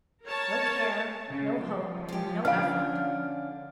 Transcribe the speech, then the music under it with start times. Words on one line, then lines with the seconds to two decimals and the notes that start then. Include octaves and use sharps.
No care--no hope--no effort.
0.24 A#4 C#5 A5
1.29 C#3
1.64 F3
2.09 G#3 G4
2.45 D3 C#4 D4 F5 F6